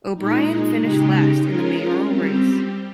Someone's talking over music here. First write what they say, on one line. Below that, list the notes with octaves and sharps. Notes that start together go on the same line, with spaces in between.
O'Brien finished last in the mayoral race.
A#2 G#3 D#4
C#3 G#3 D#4 G4
G#3 C#4 F4 A#4
G3 C4 G4